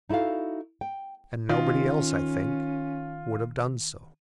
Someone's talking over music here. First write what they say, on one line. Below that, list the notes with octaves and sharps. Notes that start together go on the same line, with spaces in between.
And nobody else, I think, would have done so.
D#4 E4 F#4 A4 F5
G5
D#3 C#4 F4